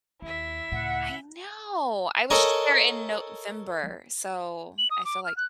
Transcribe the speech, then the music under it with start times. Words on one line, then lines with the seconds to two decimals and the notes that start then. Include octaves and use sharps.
I know. I was just there in November, so I feel like
0.22 D#2 E4 E5
0.72 C#2 A2 F#5
2.30 A4 A#4 C#5 D#5 G#5 A#5
4.78 F#7
4.91 D#6
5.05 D6
5.25 F6
5.37 F#6